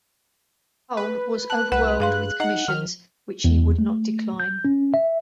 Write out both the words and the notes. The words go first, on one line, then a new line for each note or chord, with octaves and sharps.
Holl was overwhelmed with commissions, which he would not decline.
B4
A5 F#6
C2 B4 F#5
G2 G#4 F5 C6
D#4 D#5 F#5
D#3 F6
E2
A3
G6
C#4
E5